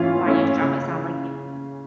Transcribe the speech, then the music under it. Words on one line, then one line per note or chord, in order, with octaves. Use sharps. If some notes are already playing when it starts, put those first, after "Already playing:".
finance job, it sounded like,
Already playing: E3 A3 C#4 E4 F4 F5
A3 C#4 E4
C#3